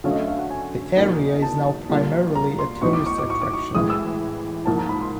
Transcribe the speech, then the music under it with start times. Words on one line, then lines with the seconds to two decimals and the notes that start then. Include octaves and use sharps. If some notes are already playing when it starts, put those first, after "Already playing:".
The area is now primarily a tourist attraction.
0.04 D3 F#3 A3 C#4 F5
0.11 D#5
0.16 E5
0.28 F5
0.39 F#5
0.50 G#5
0.97 E2 B2 F#3 A#3 D#4
1.42 A5
1.89 B2 G3 A#3 D4 F4
2.35 A#5
2.59 C6
2.81 A2 F#3 B3 D#4 C#6
2.93 D6
3.06 C#6
3.18 D6
3.30 C#6
3.42 D6
3.53 C#6
3.75 A2 E3 G#3 D#6
3.90 E6
4.65 G#2 F3 A#3 A5
4.78 A#5
4.89 B5
5.01 C6